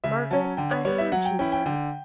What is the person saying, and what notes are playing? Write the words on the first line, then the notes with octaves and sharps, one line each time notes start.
'Margaret, I heard you were up.
C#3 E5
F#3 C#4 A5
D3 G5
C#5
G3 B3 C#5
E5
F#3 F#5
G5
C#4 E4 G5
G5
D3 G5